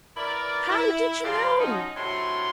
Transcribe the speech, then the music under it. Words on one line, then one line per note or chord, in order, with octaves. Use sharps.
"How did you know?"
E4 A#4 B4 D5
E4
A#2 F3 G4 D5 F5 C6
F3 F#3 C#4 D#4
A2 C3 F#3 D4 C#5 C6